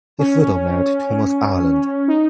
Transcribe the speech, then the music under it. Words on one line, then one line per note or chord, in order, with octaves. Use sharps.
His widow married Thomas Ireland.
C#4
D#4